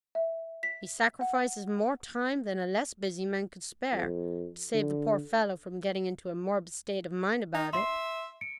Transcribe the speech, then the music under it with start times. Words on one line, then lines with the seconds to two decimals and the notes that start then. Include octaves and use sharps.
He sacrifices more time than a less busy man could spare, to save the poor fellow from getting into a morbid state of mind about it.
0.15 E5
0.63 B6
1.21 F#5
3.93 F2
4.74 D3
7.55 D#4
7.73 E5 C6 C7
8.41 C#7 D7